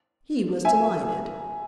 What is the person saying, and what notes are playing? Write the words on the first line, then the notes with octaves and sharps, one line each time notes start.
He was delighted.
E5 G#5